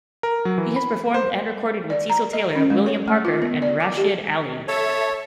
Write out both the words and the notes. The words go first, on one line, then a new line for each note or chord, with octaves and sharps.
He has performed and recorded with Cecil Taylor, William Parker, and Rashied Ali.
A#4
F#3
E3
B5
C5
D5
A#5
D#5
C#4
G#3
C#5
A3
F4
B3
D5
D6
G4
A4 C#5 E5 A5